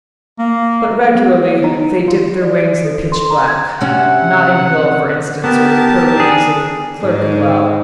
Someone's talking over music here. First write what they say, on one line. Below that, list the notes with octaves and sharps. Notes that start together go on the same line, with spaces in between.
But regularly they dipped their wings in pitch black; Notting Hill, for instance, or the purlieus of Clerkenwell.
A#3
B3
C#5
D#4
F4
D5
A4
C6
A#5
G#6
C3 C#4 F#4 F#5
B3 G4 A#4 A5
D4 G#4
G#2